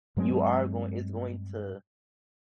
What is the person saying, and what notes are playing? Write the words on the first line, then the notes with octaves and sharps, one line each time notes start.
you are goin it's going to,
G2 F#3 G#3 C4